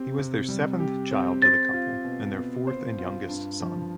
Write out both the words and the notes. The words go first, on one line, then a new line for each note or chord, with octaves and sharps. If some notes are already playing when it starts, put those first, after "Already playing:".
He was their seventh child to the couple and their fourth and youngest son.
Already playing: C4 G4
C3
G3
G4
C4
C5 A6
F4
B2
B3
C5
F4
G2
F3